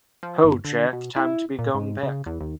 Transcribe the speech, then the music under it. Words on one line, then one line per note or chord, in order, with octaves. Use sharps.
'Ho, Jack, time to be going back.
F3
G1
D3
B2
E4
A#2
G#2
C#3
E2
D#2